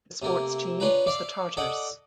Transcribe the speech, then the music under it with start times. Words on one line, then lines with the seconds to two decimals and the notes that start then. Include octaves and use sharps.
The sports team is the Tartars.
0.22 C3 A3 A#3
0.80 C#4 D4 F4 B4 A#5
1.07 D5 E5 F5
1.57 A4 D5 D#5 F#5